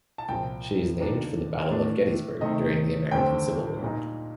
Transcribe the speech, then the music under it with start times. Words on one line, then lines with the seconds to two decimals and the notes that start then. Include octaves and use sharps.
She is named for the Battle of Gettysburg during the American Civil War.
0.18 A5
0.29 C2 A#2 F3 G5
1.00 D#2 D#3 A#3 D4
1.70 A2 A3 D4
2.41 C3 D#3 A3 D#5
3.11 D2 D3 G3 C4 G5
3.82 A#2 G3 A#3 D#4